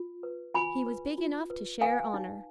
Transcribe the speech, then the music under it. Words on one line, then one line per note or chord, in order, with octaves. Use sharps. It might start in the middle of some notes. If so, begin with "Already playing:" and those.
He was big enough to share honor.
Already playing: F4
B4
F4 G#5 B5
B4
F4
B4
B4 F5 G#5
D#4